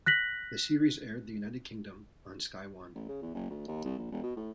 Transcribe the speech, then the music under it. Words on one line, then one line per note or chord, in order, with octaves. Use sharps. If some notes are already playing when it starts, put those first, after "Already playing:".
The series aired the United Kingdom on Sky One.
F#6 A#6 B6 F#7
A1
C#3
E2
F#1
D2
D#2
C2
A#1
E1
B2
A2